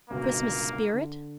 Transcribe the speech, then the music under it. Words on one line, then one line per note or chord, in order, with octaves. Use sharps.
Christmas spirit?
G1 C#2 B2 A#3
D3